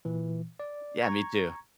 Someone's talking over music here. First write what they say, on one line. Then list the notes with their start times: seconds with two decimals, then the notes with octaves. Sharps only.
Yeah, me too.
0.05 A#2 E3
0.60 D5
1.01 A#5 C#6 G#6